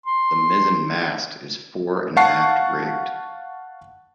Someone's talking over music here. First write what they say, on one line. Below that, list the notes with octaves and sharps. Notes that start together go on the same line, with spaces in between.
The mizzen mast is fore-and-aft rigged.
C6
F5 F#5 A5 C#6 C7